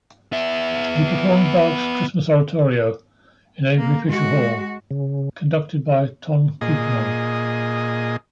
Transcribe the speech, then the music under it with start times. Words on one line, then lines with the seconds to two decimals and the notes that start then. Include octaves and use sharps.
He performed Bach's "Christmas Oratorio" in Avery Fisher Hall, conducted by Ton Koopman.
0.32 B3 E5
3.77 A#3
4.08 G#3 F#4
4.91 C#3
6.61 A#2 G#4 D#5